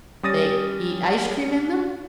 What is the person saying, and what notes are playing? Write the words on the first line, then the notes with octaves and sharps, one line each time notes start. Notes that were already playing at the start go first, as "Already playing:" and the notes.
"They eat ice-cream in them?"
G3 C#4 D#6 A6 A#6 D#7